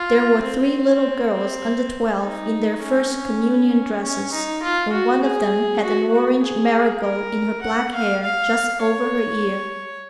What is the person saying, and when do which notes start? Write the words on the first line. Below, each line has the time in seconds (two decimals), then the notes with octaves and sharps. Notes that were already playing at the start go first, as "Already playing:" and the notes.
There were three little girls under twelve, in their first communion dresses, and one of them had an orange marigold in her black hair, just over her ear.
Already playing: F4
0.43 C4
2.22 D#4
2.83 C#4
4.03 C#4
4.33 D#4
4.62 F4
4.93 F#4
5.22 G#4
5.83 F#4
6.12 F#4
6.43 G#4
7.02 A#4
7.62 F#5
7.93 F5
8.22 F5
8.82 C#5